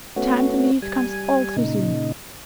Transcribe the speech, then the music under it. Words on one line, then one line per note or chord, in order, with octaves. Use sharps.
The time to leave comes all too soon.
A3 B3 C#4 F#4
G3 G#5
A#2 C#3 D#4